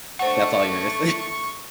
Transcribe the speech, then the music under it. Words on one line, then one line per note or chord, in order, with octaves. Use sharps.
That's all yours.
A3 D4 C5 F#5 C#6